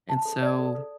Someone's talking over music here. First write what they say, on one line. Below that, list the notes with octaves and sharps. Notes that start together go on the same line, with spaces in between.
And so,
A5
A4
D5
A4
A4